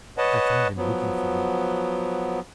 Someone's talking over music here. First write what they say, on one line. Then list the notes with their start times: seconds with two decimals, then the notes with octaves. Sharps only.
I found him looking for you.
0.18 B4 C#5 D#5 F#5 A5
0.77 F3 F#3 B3